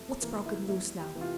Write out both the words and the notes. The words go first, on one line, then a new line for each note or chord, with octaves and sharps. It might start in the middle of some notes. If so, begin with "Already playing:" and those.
What's broke loose now?
Already playing: F2 C3 E3 F3 A3
C3 E3 A#3
E4
E2 E4
G4
C3 E3
F4